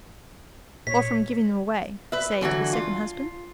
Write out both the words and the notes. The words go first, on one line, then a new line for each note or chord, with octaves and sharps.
"Or from giving them away,--say to a second husband."
A#2 C#5 B6
B4 E5
D3 E3 F#3 F#4
F4